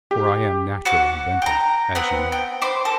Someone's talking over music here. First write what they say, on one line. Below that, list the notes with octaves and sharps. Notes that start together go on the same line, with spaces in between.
For I am naturally inventive, as you know.
G4
F#4 F#5 D6 F#6
G5 A#5
B3 C4 F#5
G5
C5 B5 C6 D6
G4 A4 A#4